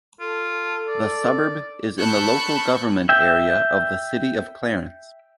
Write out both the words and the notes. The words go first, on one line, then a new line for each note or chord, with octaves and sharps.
The suburb is in the local government area of the City of Clarence.
F4 A4
D5
A5 B5 C#6 E6 F#6 G6
E5 G5